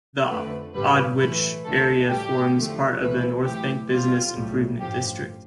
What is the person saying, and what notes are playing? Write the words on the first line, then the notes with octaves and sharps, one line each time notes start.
The Aldwych area forms part of the Northbank business improvement district.
F2 D3 A3 B4
A1 G2 D3 G3 B4
B1 A2 E3 A3 B4
D2 D3 F3 A3 A4
A1 A2 G3 G4
E2 D3 F3 A3
D2 C3 E3 A3 B4
B1 A2 E3 G4
F2 C3 G3 F4
B1 A2 G3
A1 G2 F3 G4